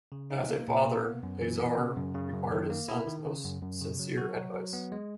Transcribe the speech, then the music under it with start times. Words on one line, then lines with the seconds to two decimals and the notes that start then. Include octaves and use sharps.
As a father, Azar required his son's most sincere advice.
0.12 C#3
0.30 D#4
0.49 A#3
0.68 A#2
0.86 A#3
1.04 B3
1.23 F#2
1.41 E3
1.60 B3
1.78 C#3
1.96 F#2
2.15 C#3
2.34 F#2
2.52 D#3
2.70 A#3
2.88 E4
3.07 D#3
3.26 C#3
3.44 F#2
3.62 F#2
3.81 C#3
3.99 F#3
4.17 F#4
4.36 F#3
4.54 F#3
4.73 B3
4.92 G#3